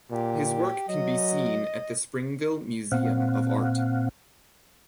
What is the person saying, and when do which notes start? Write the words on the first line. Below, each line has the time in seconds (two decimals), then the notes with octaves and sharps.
His work can be seen at the Springville Museum of Art.
0.11 A#2 G4
0.88 F#3 D#5
2.92 A#2 C4 F5 F#5